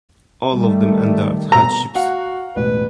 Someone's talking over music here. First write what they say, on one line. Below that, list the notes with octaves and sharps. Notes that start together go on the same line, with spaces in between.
All of them endured hardships.
D#3 G3 A3
B2 A#5
F#4 F5 F#5
E1 A1 B4